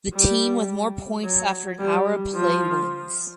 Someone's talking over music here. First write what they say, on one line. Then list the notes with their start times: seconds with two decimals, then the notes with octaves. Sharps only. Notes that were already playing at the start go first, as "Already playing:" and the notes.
The team with more points after an hour of play wins.
0.13 G3
1.24 F#3
1.79 G3
2.35 F3